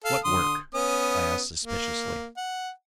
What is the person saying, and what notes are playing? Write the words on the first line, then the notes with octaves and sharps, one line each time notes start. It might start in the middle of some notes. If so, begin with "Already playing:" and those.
"What work?" I asked suspiciously.
A4 F5
D3 C6 D#6
B3 C#4 D#6
A#3
F#5